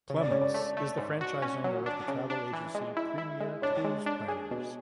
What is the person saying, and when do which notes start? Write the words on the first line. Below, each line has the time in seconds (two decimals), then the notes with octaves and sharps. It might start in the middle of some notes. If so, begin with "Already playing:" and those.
Clements is the franchise owner of the travel agency Premier Cruise Planners.
0.10 C#3
0.21 D5
0.31 C#3 C#5
0.42 D5
0.54 A3
0.77 A3
0.98 G#2
1.21 F#4
1.42 C#4
1.64 F#3
1.86 D4
2.08 C#3
2.30 D4
2.53 E3
2.75 G#3
2.97 E4
3.18 E4
3.40 G#3
3.62 D4 C#5
3.85 G#3
4.06 D4
4.28 G#4
4.51 B2